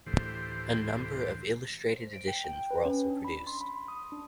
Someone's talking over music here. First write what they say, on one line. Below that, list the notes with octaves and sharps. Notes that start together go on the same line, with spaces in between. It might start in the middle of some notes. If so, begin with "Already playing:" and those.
A number of illustrated editions were also produced.
D2 A2 E3 G4 C5
C5
D7
G5
G5
B4
C#4
D4
B5
C6
B5
D#6
D4